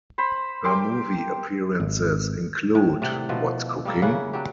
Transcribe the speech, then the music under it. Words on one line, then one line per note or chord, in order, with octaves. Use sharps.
Her movie appearances include What's Cooking?
C5 B5
G4 A#4 C6 D6
G#1
A2
C3 D5 F#5
B2 F3 A3
G3 A#3 A4
C#3 A#3 E4 F#5
F#3 D4 G4